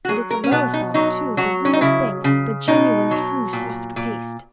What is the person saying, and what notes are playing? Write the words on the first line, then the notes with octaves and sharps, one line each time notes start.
And it's a Lowestoft, too, the real thing--the genuine, true soft paste!
F#4
F#3 G#4
A#4
C#4
B2 B3
D#4
F#3 D#4
F#3 F#4
C#4
D#4
C#3 E4
C#3
B2 D#4
F#3
A#2
A#2